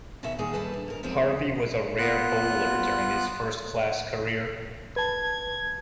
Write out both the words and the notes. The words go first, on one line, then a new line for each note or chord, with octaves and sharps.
Harvey was a rare bowler during his first-class career.
B2 D#3 C#4 F#4 E5
A#2 D#3 G3 F#4 G#4
D#2 G3 A3 B4 A5
D3
G#2 A#4
D#3 F3 G#3 B3 C4
B3 F4 F#6
B4 A5 G#6